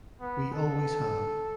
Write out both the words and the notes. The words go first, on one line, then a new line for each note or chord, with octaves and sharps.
We always have.
B3
A4